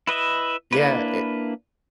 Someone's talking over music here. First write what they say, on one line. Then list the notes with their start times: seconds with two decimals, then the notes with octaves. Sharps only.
Yeah, a
0.07 E4 B4 D#5 E5
0.73 A#3 D4 E4 B4